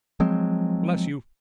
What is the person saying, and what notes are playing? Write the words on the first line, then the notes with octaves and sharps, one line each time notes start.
Bless you!'
F3 F#3 G#3 C4